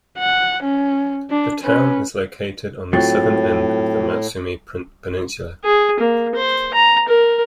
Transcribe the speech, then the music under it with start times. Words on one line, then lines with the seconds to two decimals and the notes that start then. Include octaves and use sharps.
The town is located on the southern end of the Matsumae Peninsula.
0.18 F#5
0.63 C#4
1.30 D4
1.63 C#4 B4
2.93 A2 F#3 C4 F4 G5 A6
5.64 G#4
6.00 A#3
6.35 C5
6.73 A#5
7.08 A#4